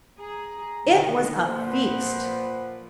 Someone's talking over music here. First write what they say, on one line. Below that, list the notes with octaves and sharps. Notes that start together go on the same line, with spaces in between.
It WAS a feast!
G#4 A#5
B2 D3 D#3
A#2 F3 B4 C5 F#5